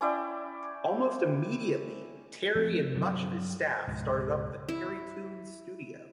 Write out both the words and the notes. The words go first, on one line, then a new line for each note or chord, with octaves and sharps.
Almost immediately, Terry and much of his staff started up the Terrytoons studio.
C#4 E4 D5 G5
F3 A3 A#3 C4
G2 F#3
C#2 G#2 B2
E4